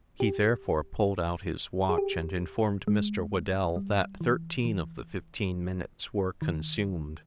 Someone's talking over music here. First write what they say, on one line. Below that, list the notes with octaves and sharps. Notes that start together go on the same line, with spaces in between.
He therefore pulled out his watch, and informed Mr. Whedell that thirteen of the fifteen minutes were consumed.
G4
G#4
G4
G#3
G3
E3
E3
D#3